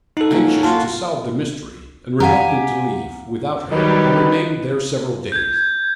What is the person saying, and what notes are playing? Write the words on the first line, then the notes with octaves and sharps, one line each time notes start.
Anxious to solve the mystery, and reluctant to leave without her, I remained there several days.
D#4 A4 F#5
F#3 A#3 C#4
A#3 F4 F#4 A5
G4 F5 F#5 G#5 A#5
D#3 F#3 G3 D#4 G4 B4
G6 G#6